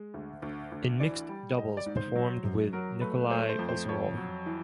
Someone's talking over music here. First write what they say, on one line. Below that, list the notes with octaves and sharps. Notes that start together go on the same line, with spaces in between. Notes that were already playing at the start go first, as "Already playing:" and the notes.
In mixed doubles performed with Nikolai Ozerov.
Already playing: G#3
D2
D2
D2
E3 D5
G3
G3 D#5
D5
G#2
C5
F#3
F#2
F#3 A#4
A3 B4
A3 C5
C5
F2
C5
F2 C#5
F#3
E3